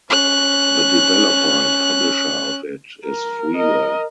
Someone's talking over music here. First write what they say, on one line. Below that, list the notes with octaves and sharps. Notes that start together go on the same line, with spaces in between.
The developer and publisher of it is freeware.
C#4 F#6
A#4
A#4 D#5